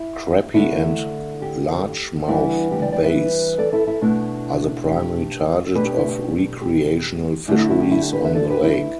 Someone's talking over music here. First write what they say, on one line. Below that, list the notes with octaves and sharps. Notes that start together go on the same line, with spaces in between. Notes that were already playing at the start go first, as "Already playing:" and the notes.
Crappie and Largemouth Bass are the primary target of recreational fisheries on the lake.
Already playing: E4
D3 A3 D4 E4
G4
E3 G3 B3 D4 E4
G4
D5 G5
D5 G5
B4 E5
A4 D5
E4 A4
E4 A4
B2 A3 D4 E4
G4
B2 A3 D4 G4 B4
G4
E4
G4
G4
D3 A3 D4 E4
E4
E4
G4
E4
G4
G4 B4
B4 E5
A4 D5
G4 B4
E4